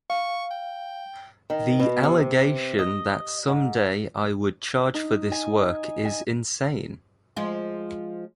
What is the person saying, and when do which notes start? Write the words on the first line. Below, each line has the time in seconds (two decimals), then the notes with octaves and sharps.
The allegation that someday I would charge for this work is insane.
0.10 F5 C#6
0.51 G5
1.50 D#3
1.79 B2
2.03 C3
2.79 D#5
3.48 G#2
4.94 D#4
5.32 G#5
6.05 G#5
7.37 F3 G#3